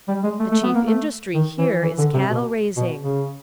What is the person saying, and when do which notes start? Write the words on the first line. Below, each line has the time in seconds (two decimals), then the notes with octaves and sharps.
The chief industry here is cattle raising.
0.08 G3
0.24 G#3
0.40 A3
0.51 A3
0.63 B3
0.75 A#3
0.87 A3
1.34 D#3
1.58 E3
1.82 E3
1.98 D3
2.14 C3
2.30 B2
2.77 B2
3.01 C#3